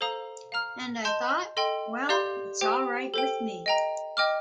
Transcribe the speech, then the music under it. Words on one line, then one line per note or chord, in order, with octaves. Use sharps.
And I thought, 'Well, it's all right with me.
A4 C5 F5 A#5 D#6
F5 A#5 F6
D#5 A5 C6 G6
A4 D#5 G5 C6
G4 D5 F5 C6 G6
G4 C5 G5
A4 C5 G5
D#5 G5 A#5
D#5 G5 D6 F6